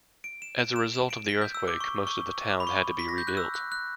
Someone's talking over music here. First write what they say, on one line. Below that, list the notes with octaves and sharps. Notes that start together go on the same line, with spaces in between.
As a result of the earthquake, most of the town had to be rebuilt.
D7
E7
D7
E7
E7
D7
B6
G6
E6
D6
C#6
C#6
D6
B5
C#6
B6
A#6
G6
F#6
E6
F#6
F#6